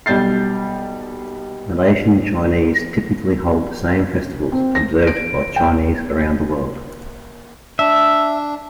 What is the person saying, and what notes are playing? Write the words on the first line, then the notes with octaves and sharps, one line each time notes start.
Malaysian Chinese typically hold the same festivals observed by Chinese around the world.
B1 G3 G6 A6 C7
C4
A#6
D7
G5
D4 E5